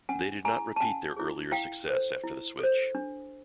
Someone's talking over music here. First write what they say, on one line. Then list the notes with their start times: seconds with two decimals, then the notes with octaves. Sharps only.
They did not repeat their earlier success after the switch.
0.09 C#4 F#5 G#5
0.45 E4 G#4 G#5 A#5
0.76 A5
0.80 C#4 F#5 G#5
1.16 E4 G#4
1.52 E4 F5 G5
1.88 A4 C5
2.24 E4
2.59 A4 C5
2.95 D4